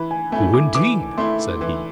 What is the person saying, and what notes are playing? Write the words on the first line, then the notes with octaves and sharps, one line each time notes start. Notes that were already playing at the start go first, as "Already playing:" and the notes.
"Who, indeed?" said he.
Already playing: E3 B5
G#5
A3 E4 G#5
D6
E3 D6
A3 E4 C6
E3